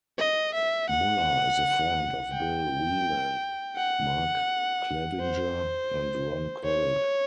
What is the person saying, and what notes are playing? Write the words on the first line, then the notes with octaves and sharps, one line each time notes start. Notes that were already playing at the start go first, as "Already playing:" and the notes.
Muller is a friend of Bill Wieman, Mark Clevinger, and Ron Kovic.
D#5
E5
F#5
G5
F#5
C5
C#5